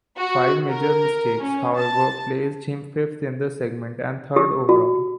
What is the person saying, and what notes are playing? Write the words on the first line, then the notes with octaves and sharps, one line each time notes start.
Five major mistakes, however, placed him fifth in the segment and third overall.
F#4
A#4
C#4
A5
G4
F#4